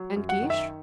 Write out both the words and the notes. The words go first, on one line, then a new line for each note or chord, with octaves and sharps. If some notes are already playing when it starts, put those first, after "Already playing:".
"And Guiche?"
Already playing: F#3
F#2
F#5
D#3
E5